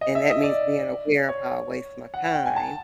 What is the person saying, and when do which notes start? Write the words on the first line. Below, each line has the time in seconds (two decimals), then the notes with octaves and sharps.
and that means being aware of how I waste my time
0.01 D#5
0.15 E5
0.30 D#5
0.44 D5
1.29 C#5
2.14 F#5
2.25 F#5
2.35 G5
2.46 G#5
2.56 A5